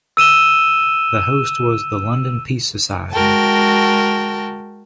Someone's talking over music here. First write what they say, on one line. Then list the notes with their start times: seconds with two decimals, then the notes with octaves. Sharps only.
The host was the London Peace Society.
0.17 E6 D#7 E7 G7
3.13 G#3 F#4 A#4 G5 A5